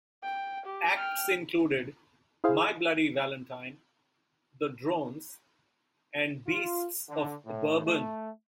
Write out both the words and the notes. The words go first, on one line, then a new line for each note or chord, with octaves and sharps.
Acts included My Bloody Valentine, The Drones and Beasts of Bourbon.
G5
G4
G5 F6
E4 G#4 C5 F5
F4
D3
A2
A3